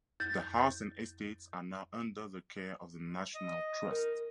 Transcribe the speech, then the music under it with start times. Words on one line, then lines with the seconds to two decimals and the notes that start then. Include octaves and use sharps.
The house and estate are now under the care of the National Trust.
0.20 F2 G6 A6
3.35 D#5
3.91 A#4